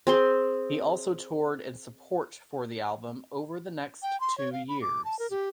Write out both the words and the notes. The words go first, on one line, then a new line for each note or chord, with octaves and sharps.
He also toured in support for the album over the next two years.
C4 G#4 C6
G5
C6
C#5
F5
B5
D6
A5
A#4
G4